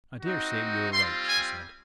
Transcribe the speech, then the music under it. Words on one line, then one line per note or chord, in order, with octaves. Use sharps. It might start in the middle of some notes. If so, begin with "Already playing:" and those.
"I daresay you are right," she said.
C4 D#4 F#4
G3 C4 F4 C6
G#5